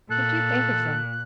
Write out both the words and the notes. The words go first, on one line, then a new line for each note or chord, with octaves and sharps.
What do you think of them?
A#2 A4 F#6